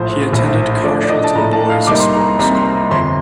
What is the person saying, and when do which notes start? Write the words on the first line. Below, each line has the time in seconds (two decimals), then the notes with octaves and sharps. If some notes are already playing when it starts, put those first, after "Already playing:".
He attended Carshalton Boys Sports College.
Already playing: A#1 A2 F3 C5
0.31 A#1 A2 F3
0.83 A2 F3 A3 D4 D5
1.03 D5
1.10 D#5
1.24 A5
1.35 A2 F3 A3 D4 A#5
1.53 A5
1.70 F5
1.87 C2 C3 G3 A#3 D#4 D6
2.00 C6
2.13 A#5
2.26 C6
2.39 C2 C3 G3 A#3 D#4 A#5
2.55 C6
2.65 A#5
2.91 G1 F2 C3 C6